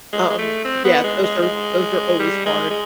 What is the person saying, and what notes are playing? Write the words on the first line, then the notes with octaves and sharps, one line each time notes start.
Um, yeah, those are those are always hard.
G#3
G#3
A3
C4
B3
G#3
G#3
G#3
G3
G#3
G#3